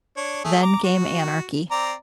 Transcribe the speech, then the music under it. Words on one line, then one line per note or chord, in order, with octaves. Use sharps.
Then came anarchy.
D4 C#5
A3 G#4
A#5 D6
F#4
C4 D5 A#5